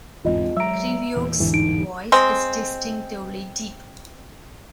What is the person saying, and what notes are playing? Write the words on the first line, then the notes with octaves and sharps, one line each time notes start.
Grevioux's voice is distinctively deep.
G1 E2 G#2 C4 F4 D#5
F#3 G#3 E5 A#5 E6 D7
E2 A#2 E3
G1 E2 G#2 D3 E3
D#4 D7
G#3 C4